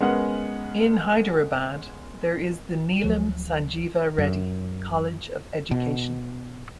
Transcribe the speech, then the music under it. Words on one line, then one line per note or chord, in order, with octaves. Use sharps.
In Hyderabad, there is the Neelam Sanjeeva Reddy College of Education.
G#3 B3 C#4 A#4 F#5
D2 F3 F#3
F#2
B2